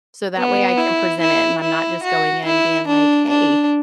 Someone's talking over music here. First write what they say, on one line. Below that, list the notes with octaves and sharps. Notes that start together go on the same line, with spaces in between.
so that way I can present it, and I'm not just going in being like, "Hey,
B3
E4
E4
E4
F#4
E4
D4
D4